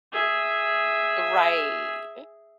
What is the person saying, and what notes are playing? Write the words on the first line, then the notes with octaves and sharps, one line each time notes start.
Right, eh
G#4 E5